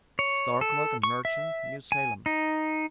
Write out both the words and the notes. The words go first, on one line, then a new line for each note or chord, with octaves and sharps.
Store clerk and merchant, New Salem.
C#5
A4
C#6
E5
G#5
D#4